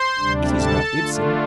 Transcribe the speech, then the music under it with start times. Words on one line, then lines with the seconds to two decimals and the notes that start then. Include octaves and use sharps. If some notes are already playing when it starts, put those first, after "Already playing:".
It is not Ibsen.
Already playing: C5 C6
0.18 D2 C3 G3 D4
0.56 A4 A5
0.96 D3 A3 D4 F4